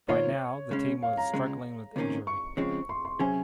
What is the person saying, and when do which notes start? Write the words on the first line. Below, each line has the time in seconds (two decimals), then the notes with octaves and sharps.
By now the team was struggling with injury.
0.08 G#2 D#3 A#3 F4 C5 C#5
0.71 C#3 G#3 C#4
1.03 F5
1.17 A#5
1.34 C#2 C#3 G#3
1.96 C#2 C3 D#3 A#3 C#4
2.27 C#6
2.57 C#3 F3 G#3 C4
2.89 C6
3.05 C6
3.19 C3 F#3 C#4 G#4 C5 G#5